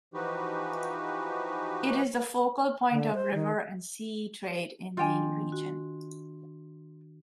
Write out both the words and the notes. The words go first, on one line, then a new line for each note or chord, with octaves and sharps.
It is the focal point of river and sea trade in the region.
E3 F3 D#4 F#4 G4 B4
D3
C5
D#3
D#3 D4 F4 G5 G#5
F#4